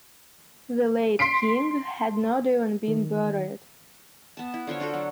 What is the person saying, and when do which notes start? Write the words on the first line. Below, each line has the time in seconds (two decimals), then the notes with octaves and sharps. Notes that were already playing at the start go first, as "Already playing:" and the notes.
The late king had not even been buried.
1.19 C6 B6 C7 D7
2.88 D#3
4.37 B3 A5
4.54 E4
4.67 D3 F4 C5 C#5
4.80 D4 F4 F#4 A4
4.94 F#3